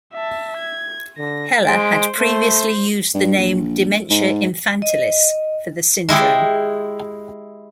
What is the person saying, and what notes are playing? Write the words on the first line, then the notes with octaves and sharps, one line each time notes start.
Heller had previously used the name "dementia infantilis" for the syndrome.
E5 A5
G#6
D3 A#6
G#3 C5 D7
A3 C5
G2
A#1
G#2
D#5
G#3 E4 G4 G#4